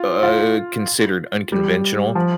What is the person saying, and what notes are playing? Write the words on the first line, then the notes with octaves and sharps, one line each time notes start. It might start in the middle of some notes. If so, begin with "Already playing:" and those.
uh, considered unconventional.
Already playing: F4
F4
G3
F3